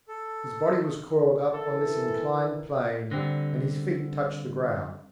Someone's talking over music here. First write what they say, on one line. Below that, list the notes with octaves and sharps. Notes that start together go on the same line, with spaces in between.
His body was coiled up on this inclined plane and his feet touched the ground.
A4
E3 A4 A#4
D3 G3 C4 A#6